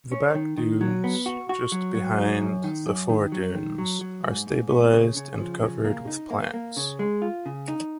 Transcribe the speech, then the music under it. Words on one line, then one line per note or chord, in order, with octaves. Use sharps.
The back dunes, just behind the fore dunes, are stabilized and covered with plants.
C#4
D#3
D#3
F#3
B3
F#4
F#4
F#3
F#3
D#4
F#2
D#3
F#2
D#3
F#3
D#3
F#3
F#3
G#2
G#2
B3
C#3
C#3
F3
C#3
A#3
D#4
A#3
A#3
C#3
G#3
F4
C#3
D#4